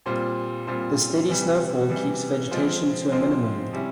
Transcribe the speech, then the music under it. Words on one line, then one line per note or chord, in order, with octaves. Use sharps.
The steady snowfall keeps vegetation to a minimum.
A#2 G3 C4 F4 C5
A#2 G3 C4 F4 C5
C3 E3 G3
C3 E3 G3
F3 G#3 C4 F4 C5
F3 G#3 C4 F4 C5
C3 G3 C#4 E4